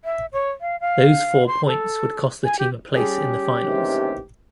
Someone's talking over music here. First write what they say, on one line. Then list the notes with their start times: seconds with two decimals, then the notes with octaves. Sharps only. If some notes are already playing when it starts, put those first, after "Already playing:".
Those four points would cost the team a place in the finals.
0.05 E5
0.33 C#5
0.61 F5
0.81 F5
1.47 C6
1.67 A4
2.44 G#5
2.59 G4
2.96 G3 C#4 G4 G#4
3.65 A1 D#2 C3